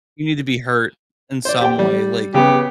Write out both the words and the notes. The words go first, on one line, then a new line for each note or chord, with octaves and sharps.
you need to be hurt in some way, like
C5 D5
G4 G5
G3
C#3 B3 G4